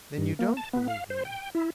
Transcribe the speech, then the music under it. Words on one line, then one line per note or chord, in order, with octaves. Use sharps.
"Then you don't believe me?"
G2
A#3
A5
B3
F5
C5
G5
E4